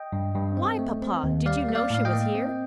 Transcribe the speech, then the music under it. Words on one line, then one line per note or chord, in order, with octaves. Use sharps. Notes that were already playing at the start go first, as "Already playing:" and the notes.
"Why, papa; did you know she was here?"
Already playing: D#5 G5
G2
G2
C4
A3
C4
D#2
G3 D5 F5
A#3
D5 F5
A2 F5
D#5 G5
A#3
C4